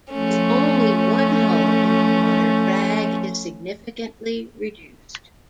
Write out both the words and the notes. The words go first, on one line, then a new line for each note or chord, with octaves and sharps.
With only one hull in the water, drag is significantly reduced.
F3 A3 C#4